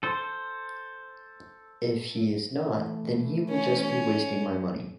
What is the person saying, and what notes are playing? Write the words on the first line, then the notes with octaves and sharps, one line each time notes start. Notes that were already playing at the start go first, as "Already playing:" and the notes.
If he is not, then he will just be wasting my money.
A4 C5
E3 A3
C#4